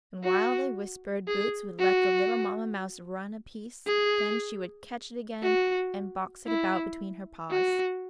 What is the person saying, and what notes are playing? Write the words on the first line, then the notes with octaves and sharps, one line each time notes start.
And while they whispered Boots would let the little Mamma mouse run a piece, then she would catch it again and box it about between her paws.
F#4
G#4
F#4
G#4
F#4
E4
F#4